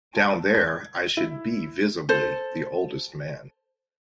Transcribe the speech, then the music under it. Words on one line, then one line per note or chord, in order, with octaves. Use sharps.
Down there I should be visibly the oldest man.
A5
G#6
E4
A4 C5